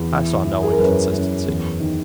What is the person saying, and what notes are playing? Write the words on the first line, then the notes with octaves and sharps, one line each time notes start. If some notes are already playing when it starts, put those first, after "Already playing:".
I saw no inconsistency.
Already playing: E2
E3
E3
G#4
A#4
F#2 B4
F#2
E2
D#3